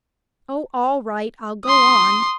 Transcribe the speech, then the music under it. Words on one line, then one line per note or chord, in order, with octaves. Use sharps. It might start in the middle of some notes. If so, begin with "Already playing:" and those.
Oh, all right; I'll go on.
C6 D#6